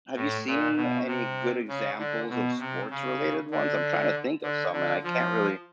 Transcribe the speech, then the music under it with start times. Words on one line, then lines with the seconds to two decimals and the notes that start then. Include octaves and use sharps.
Have you seen any good examples of sports related ones? I'm tryna think of some, and I can't really
0.16 A2
0.47 A#2
0.76 B2
1.07 C3
1.68 C#3
1.98 D3
2.29 B2
2.59 C3
2.90 C#3
3.51 D3
4.42 D3
4.72 D3
5.04 F3